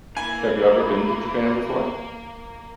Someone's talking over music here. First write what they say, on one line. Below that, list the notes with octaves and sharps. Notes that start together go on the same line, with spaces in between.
Have you ever been to Japan before?
E3 A#3 A#4 G#5 B5